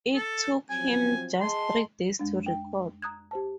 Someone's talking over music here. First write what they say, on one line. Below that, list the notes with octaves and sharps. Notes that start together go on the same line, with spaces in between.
It took him just three days to record.
A4
F3 F#3 C4 G#5
G#4 D#5 A5 C6
F2 G#3 D4
G5
A#5 D#6 F#6 G#6
G4 C5 A5